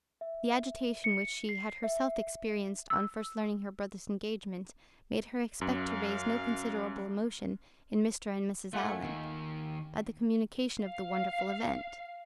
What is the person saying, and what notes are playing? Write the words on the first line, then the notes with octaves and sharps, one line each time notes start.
The agitation which she had herself experienced on first learning her brother's engagement made her expect to raise no inconsiderable emotion in Mr. and Mrs. Allen, by the communication of the wonderful event.
E5
C#7
C7
E5
E6
F#2 F5
A3 F4 F#5 G#5
D#3 A#3
F5